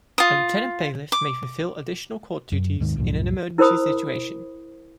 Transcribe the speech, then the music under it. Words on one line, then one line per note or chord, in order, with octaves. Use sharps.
A Lieutenant Bailiff may fulfil additional court duties in an emergency situation.
F4 D#6
D6
F#2
D#2 G#2 D#3
C2 F#2 A2 F3
E4 A#4 C5 B5 D#6